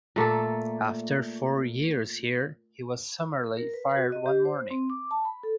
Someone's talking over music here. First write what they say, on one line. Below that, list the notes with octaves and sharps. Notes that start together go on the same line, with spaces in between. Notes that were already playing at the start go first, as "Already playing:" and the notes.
After four years here, he was summarily fired one morning.
A#2 A3 A#3 A4
A#4
B4
F#4
D#5
G4
C5
C4
D6
A5
B5
A4